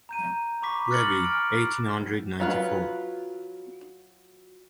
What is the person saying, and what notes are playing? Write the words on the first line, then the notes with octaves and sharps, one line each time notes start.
Lévy, eighteen hundred ninety-four.
A#5 G6 D#7
B5 C#6 D6 B6
F6 F#6 A6 A#6 C#7 F#7
F6 D7
F#3 F4 B4